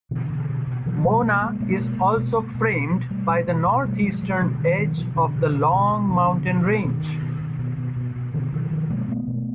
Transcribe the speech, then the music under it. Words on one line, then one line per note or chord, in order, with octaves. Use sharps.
Mona is also framed by the north-eastern edge of the Long Mountain range.
B2 D3 E3
B2
B2
B2
B2 E3 F#3
B2 F#3 G#3
B2 G#3 A#3
B2 G#3 A#3
B2 G#3 A#3
B2
B2
B2
B2
B2
B2
B2
B2 G3 A3
B2
B2
B2
B2 G3 A3
B2 F#3 G#3
B2 F#3 G#3
B2 D3
B2 D#3
B2 D#3
B2 E3 F#3
B2 D3 E3
B2
B2
B2
B2
B2 D3
B2
B2
B2
B2 D#3
B2
B2
B2
B2
B2
B2
B2
B2 D3 E3
B2 D#3 F3
B2 D#3 F3
B2 G#3 A#3
B2 A3 B3
B2